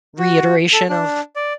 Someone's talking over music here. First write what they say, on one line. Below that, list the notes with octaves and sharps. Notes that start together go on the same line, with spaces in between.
reiteration of
F#4
A4
D4
D5